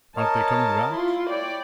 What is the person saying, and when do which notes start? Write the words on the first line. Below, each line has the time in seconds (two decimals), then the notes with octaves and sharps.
"Aren't they coming back?"
0.17 A#4 C#5 D#5 A5
0.92 E4 F4 C6
1.30 E4 C#5 D5 G5